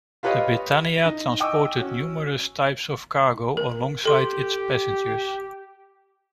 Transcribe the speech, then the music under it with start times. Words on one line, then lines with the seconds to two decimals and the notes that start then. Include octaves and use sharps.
The Britannia transported numerous types of cargo alongside its passengers.
0.23 F4 G4 B4 C#5 D#5 F5
1.05 D#4
1.40 D#5 G5 G#5 C#6 D6 E6
1.77 C#4 F#4
3.57 A#4
4.05 G4 A4 C6